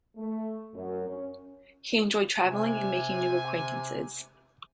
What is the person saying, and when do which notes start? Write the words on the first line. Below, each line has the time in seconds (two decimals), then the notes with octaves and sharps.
He enjoyed traveling and making new acquaintances.
0.16 A3
0.74 F#2
1.08 C#4
2.42 C3 G#5